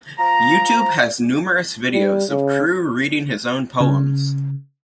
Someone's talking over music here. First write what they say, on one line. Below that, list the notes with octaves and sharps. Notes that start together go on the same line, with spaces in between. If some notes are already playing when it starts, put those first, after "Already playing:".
YouTube has numerous videos of Crew reading his own poems.
F3 A#5
G3
C#3
C#3